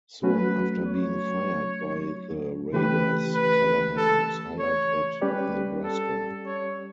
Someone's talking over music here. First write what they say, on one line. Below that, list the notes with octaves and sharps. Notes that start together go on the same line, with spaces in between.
Soon after being fired by the Raiders, Callahan was hired at Nebraska.
F#3 A3 C#4 F#4 B4
C#5
C#3 E3 A3 C#4 G4 B4
B4
A4
C#5
G3 C#4 G4 B4 D5
A4
C#5